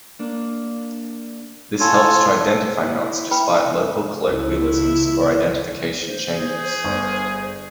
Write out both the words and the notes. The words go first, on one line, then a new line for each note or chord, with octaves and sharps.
This helps to identify knots despite local colloquialisms or identification changes.
A#3 D4
C4 E4 F4 A4 C#5 G#5
E4
B4 G5 B5
C#2 E4
C5
G#4
G1